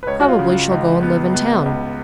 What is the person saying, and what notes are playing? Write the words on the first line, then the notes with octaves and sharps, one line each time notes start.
Probably she'll go and live in town.
B4
C#2 C#5
F#4
F4
C#3
F4
C#2
B3
B3
C#2